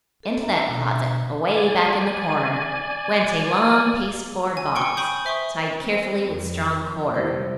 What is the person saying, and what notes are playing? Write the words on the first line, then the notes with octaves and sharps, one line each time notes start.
Into that closet, away back in the corner, went a long pasteboard box, tied carefully with strong cord.
A4
D4 E5 A#5
B2
D5 G#5
G#5
G5 G#5 C#6 C#7 G7
G5 G#5 B5 C#6 D#6 G6
C5 E5 C6 C#6 D#6
C4
F2
C3 G3 E4 C5